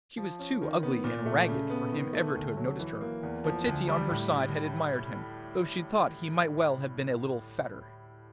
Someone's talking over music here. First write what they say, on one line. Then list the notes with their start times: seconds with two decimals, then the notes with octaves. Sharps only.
She was too ugly and ragged for him ever to have noticed her, but Titty on her side had admired him, though she thought he might well have been a little fatter.
0.17 F3
0.39 C#4
0.62 D#3
0.83 B3
1.04 A#2
1.26 A3
1.48 C#3
1.70 B3
1.92 D#3
2.13 A3
2.35 D2
2.57 F#3
2.79 E3
3.01 A#3
3.23 E2
3.44 F3
3.66 D2
3.88 G3
4.10 A2